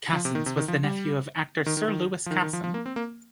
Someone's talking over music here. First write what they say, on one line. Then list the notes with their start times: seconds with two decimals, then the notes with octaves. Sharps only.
Casson's was the nephew of actor, Sir Lewis Casson.
0.13 F3
0.25 C3
0.35 D#3
0.46 C3
0.57 D#3
0.68 F3
0.84 G3
1.66 D#3
1.77 D#3
1.88 D#3
2.26 F3
2.31 D#3
2.42 D#3
2.53 F3
2.64 F3
2.74 A#3
2.86 C4
2.96 A#3